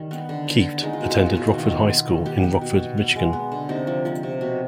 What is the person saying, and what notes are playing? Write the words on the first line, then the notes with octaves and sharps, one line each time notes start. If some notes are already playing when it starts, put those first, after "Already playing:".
Kieft attended Rockford High School in Rockford, Michigan.
Already playing: D#3 G3 D#4
B3
D3
B3
B3
G#3 D#4
F4
B2 D#4
B2 F4
D#4
B2 F4
D#4
D#3 F4
B3 D#4
B3
D#3
B3 G4
B3
B2
B3
B3
G#3
B3
D3
C3 D#4
F3
F3
C3
B2